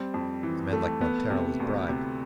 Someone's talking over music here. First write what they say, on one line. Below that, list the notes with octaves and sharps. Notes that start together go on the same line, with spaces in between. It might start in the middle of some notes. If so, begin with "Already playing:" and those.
A man like Montero is bribed.
Already playing: G3 C4
F2
E3
A3
B3
C3
D2
C3